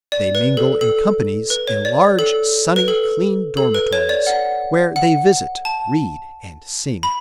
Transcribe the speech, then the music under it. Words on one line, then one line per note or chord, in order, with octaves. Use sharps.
They mingle in companies in large sunny, clean, dormitories, where they visit, read and sing.
D5
B4
A4
A4
B4
C#5
D5
A4
B4
A4
A4
B4
C#5
D5
F#5
F#5
A5
B5